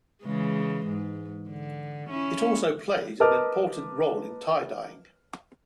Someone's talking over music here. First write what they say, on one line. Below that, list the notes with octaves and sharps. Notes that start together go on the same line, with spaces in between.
It also played an important role in tie-dyeing.
C#3 E3 G#3
G#2
D3
C#4 E4
A#4 B4 D#5 A5 D6 F6